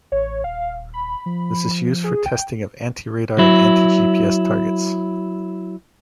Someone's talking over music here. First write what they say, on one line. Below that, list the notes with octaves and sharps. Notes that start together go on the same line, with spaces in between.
This is used for testing of anti radar and anti gps targets.
A1 C#5
D#1 F5
B5
F3
G#4
G5
F#3 E4